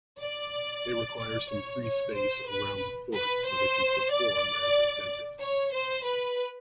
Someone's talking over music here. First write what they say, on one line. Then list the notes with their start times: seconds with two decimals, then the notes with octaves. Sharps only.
They require some free space around the port so they can perform as intended.
0.21 D5
1.19 D5
1.51 C#5
1.84 C#5
2.16 C5
2.48 B4
3.14 B4
3.46 C5
4.11 D5
5.40 C#5
5.72 C5
6.05 B4